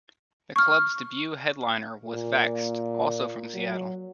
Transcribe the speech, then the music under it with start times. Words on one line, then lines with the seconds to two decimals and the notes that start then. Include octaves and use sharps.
The club's debut headliner was Vexed, also from Seattle.
0.56 C#6 F6
2.04 A#2
3.54 F#3